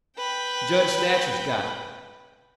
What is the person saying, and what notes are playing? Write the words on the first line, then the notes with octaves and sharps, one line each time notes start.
Judge Thatcher's got it.
B4 G5